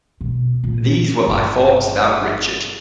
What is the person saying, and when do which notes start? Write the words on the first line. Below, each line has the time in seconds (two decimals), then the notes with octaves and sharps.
These were my thoughts about Richard.
0.21 B2
0.64 A#2
1.28 G1